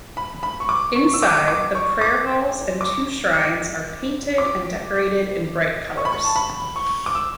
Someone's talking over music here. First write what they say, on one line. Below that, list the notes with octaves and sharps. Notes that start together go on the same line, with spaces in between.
Inside, the prayer halls and two shrines are painted and decorated in bright colours.
B5
B5
C#6
D6
C#6
E6
D6
D6
C#6
D6
D6
D6
C#6
B5
C#6
A5
B5
C#6
D6
E6